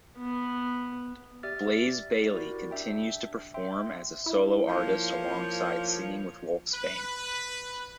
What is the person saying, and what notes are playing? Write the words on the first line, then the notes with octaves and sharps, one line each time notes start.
Blaze Bayley continues to perform as a solo artist alongside singing with Wolfsbane.
B3
G4 D5 E5 F6 A6
E4 F#4 G4 A#4 D5
D4 E5 G5
E5 G5 C6
E4
F3 A#3 C#5
B4